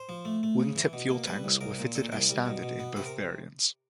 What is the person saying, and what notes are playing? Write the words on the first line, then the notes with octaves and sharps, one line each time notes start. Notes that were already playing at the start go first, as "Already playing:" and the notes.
Wingtip fuel tanks were fitted as standard in both variants.
Already playing: C5
F3
A3
A3
C#3
E3
B2
A#3
G3 B4
C2
C2 A#4
A#2
A#2 A4
C2 A#4
G3
B2
B2
B3
C3 B4
A#4